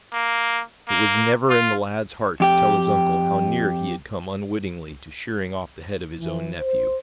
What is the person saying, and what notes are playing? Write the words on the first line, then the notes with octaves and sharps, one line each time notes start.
It was never in the lad's heart to tell his uncle how near he had come unwittingly to shearing off the head of his own nephew.
A#3
A#3
F4
F2 G4 G5
E3
C5